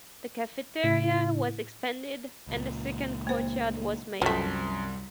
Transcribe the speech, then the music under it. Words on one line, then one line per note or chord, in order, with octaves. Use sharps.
The cafeteria was expanded and a second courtyard was made.
A2 C#3 E4
C#2 A#2
A#3 C5
C2 F#2 F3 A3 B6